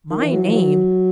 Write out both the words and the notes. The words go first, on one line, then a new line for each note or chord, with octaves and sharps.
My name!
D#3
E3
F#3
E3
F#3